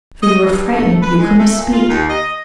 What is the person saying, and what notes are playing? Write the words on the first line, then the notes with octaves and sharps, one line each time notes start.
For you were frightened; you couldn't speak.
D#5
G2
A3
B4
G#3
A3
A#2
F4
D#2
D#5